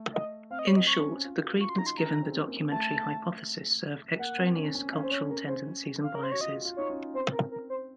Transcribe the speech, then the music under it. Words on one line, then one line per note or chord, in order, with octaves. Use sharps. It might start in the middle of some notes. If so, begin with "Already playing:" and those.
In short, the credence given the Documentary Hypothesis served extraneous cultural tendencies and biases.
Already playing: A3
D#5
C4 F5
D#5
C#5
C4 D#5
C#6
C#4
F4
F#4
F4 C#6
C6
D#4 A#5
C6
C#4 A#5
C4
A#3
A3 A5
A#3 F#5
C4
C#4
C#4
C#4 F5
C5
C#5
A#4
C5
F5
A#4
C5
F#4 C#5
F4 D#5
F4
D#4 C#5
C#4
C4 C5
A#4
A#4
C5